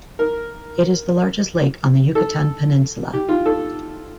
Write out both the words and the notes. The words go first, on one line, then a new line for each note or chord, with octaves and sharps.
It is the largest lake on the Yucatan Peninsula.
A#4
A4
G4
F4
A4